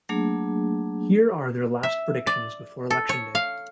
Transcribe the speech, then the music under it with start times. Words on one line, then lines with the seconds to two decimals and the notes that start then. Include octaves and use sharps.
Here are their last predictions before election day.
0.09 F#3 A3 A#3 D4 G#4
1.83 E5
2.27 D5
2.90 A4
3.09 C#5
3.35 F5